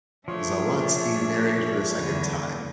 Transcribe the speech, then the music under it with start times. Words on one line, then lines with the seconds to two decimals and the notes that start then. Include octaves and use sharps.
Zawadzki married for the second time.
0.28 F3 A3 D4 G#4 C#5 E5
1.95 E2 D3